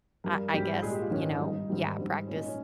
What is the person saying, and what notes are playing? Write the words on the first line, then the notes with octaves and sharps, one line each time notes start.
ah I guess, you know, yeah, practice
G2 G3 A#4
G#2 G3 G4
A#2 G#3 G#4
G4
F4
G#2 D#3 G#3 C#4
G2 G3 D#4
G#2 D#3 G3
G#2 G3
A#2 G#3 C#4
D#4
C#4